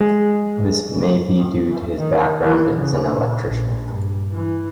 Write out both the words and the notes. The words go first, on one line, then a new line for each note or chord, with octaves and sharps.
This may be due to his background as an electrician.
G#3
D#3
E3
C#3
A#2
A#1
G2
E3